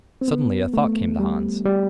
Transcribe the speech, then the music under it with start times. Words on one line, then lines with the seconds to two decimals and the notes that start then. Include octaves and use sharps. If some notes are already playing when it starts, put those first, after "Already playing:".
Suddenly a thought came to Hans.
0.21 C4
0.28 B3
0.74 A3
1.19 G3
1.66 G3